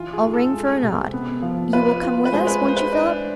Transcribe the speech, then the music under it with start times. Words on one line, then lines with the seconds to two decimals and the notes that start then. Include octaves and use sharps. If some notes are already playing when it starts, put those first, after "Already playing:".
I'll ring for Arnaud. You will come with us, won't you, Philip?'
Already playing: E3 F4
0.13 G#4
0.23 G#2
0.34 A4
0.53 G#3
0.83 C3
1.13 B3
1.42 F3
1.73 F4 B4
2.03 F4
2.25 B4
2.32 G#3 C5
2.47 B4
2.62 G#3
2.68 C5
2.77 B4
2.93 D4 E4